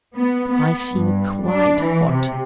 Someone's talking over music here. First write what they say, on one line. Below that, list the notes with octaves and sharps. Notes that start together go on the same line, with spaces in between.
I feel quite hot.
B3
B3
G2
D4
E3
C3